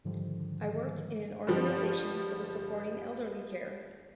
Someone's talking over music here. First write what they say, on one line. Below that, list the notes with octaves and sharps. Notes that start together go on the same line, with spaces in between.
I worked in an organization that was supporting elderly care.
G#2 D3 D#3 F3 G3
G2 D3 F3 G3